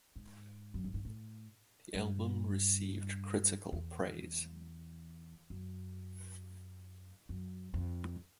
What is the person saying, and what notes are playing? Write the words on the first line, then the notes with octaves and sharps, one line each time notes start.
The album received critical praise.
G#2
F#2
G2
G#2
A2
G2
E2
F#2
F#2
F2